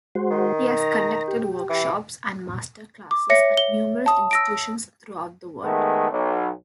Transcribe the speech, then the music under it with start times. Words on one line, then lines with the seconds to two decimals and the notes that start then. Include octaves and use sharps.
He has conducted workshops and master classes at numerous institutions throughout the world.
0.15 G#3 F#4 C5
0.31 D#3
0.77 A#5
1.28 G4
1.70 E3
3.11 D6
3.29 C#5 E5 A#6 C#7
3.57 G7
4.06 A5 D#6
4.31 E6 A#6 D7
5.63 D#3 G#3 A3 B3
6.10 B1